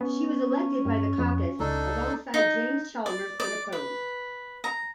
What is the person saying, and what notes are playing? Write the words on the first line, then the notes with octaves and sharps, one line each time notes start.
She was elected by the caucus alongside Jim Chalmers unopposed.
B3 C#4
G2
F2
C#2 D4 D#4 A4
D#4
D5
D5
B4
A#5